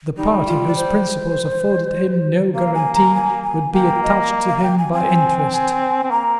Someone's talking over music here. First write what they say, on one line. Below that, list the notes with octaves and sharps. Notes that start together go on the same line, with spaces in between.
The party whose principles afforded him no guarantee would be attached to him by interest.
G3 D#4
F4
D5
C5
A#3 F5
G#5
A#5
G#5
G#5
A#3 G5
D#5
F5
F5
G5
G#5
C4 G#5
G#5
C4
A#3 A#5